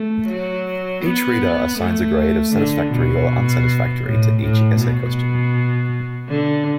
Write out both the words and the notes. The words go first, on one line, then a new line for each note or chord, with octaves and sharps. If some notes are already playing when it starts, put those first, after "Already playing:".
Each reader assigns a grade of Satisfactory or Unsatisfactory to each essay question.
Already playing: A3
F#3
B3
A3
D3
B2
A2
A2
B2
D3